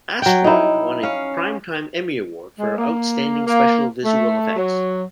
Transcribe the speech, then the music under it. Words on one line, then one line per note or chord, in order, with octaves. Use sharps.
"Asteroid" won a Primetime Emmy Award for Outstanding Special Visual Effects.
F#3 G5
D#4 E4
C#4 F5
G#3
A#3
A#3
A3
F#3